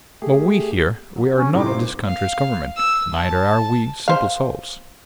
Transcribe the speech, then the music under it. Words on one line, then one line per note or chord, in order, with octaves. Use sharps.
But we here--we are not this country's Government, neither are we simple souls.
A3 G4 G#4
F#3
C#4
A2 C3 G3 D#4 D6
A#2 C5 C6
F5
E6
A5
C5 F5